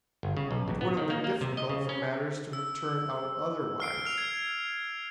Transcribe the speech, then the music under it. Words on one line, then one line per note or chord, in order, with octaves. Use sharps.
It would have been difficult for matters to have turned out otherwise.
G1
C#3
B1
A1
B3
D#3
A#3
A#3
C3
D#5
C#3
C#4
E6
F6 C7 D7
F6 F7
G#6